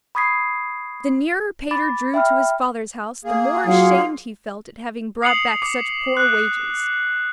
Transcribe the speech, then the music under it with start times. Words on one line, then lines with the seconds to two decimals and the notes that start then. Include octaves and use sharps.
The nearer Peter drew to his father's house the more ashamed he felt at having brought back such poor wages.
0.15 B5 C#6 D#6 G#6 B6 C7
1.71 B5 D6 A6
2.14 E5 G5 B5 F6
3.25 A#3 G#4 F5
3.66 F#3 F4 F5 F#5
5.22 D#6 C7 C#7 F7 F#7
5.62 D6
6.17 F#6